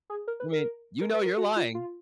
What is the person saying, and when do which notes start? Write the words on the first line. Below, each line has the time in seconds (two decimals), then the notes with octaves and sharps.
I mean, you know, you're lying.
0.10 G#4
0.28 A#4
0.40 B4
0.52 A#4
1.01 A#4
1.14 B4
1.26 A#4
1.38 F#4
1.56 F4
1.75 F4